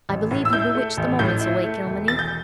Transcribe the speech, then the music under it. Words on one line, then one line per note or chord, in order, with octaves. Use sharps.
I believe you bewitch the moments away, Kilmeny.
A1
A2
E6
E4 G6
A3
A1
A2 G6
E4
A3
E1
E2 A6
G6